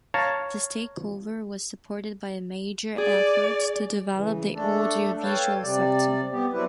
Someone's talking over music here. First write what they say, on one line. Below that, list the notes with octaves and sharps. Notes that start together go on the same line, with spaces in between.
This takeover was supported by a major effort to develop the audio-visual sector.
C#5 F5 A5 A#5
G#4 D5
C#3 E3
A3 D4 A4
A4 B4 C#5 F5 G5 A5
C3 G3 D5
B3 G4
F#3 G3 C4 E4 B4